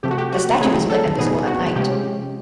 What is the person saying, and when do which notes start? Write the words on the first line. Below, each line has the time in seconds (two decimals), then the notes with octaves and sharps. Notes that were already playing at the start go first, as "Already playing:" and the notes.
The statue is lit and visible at night.
0.03 C3 F3 A3 G4
0.10 F#4
0.18 G4
0.32 F#4
0.61 C#3 F#3 A3 C4 D#4 G#4
0.89 A4
1.18 B2 G3 B3 D#4 G#4
1.47 F#4
1.76 C3 F3 G#3 C#4 G4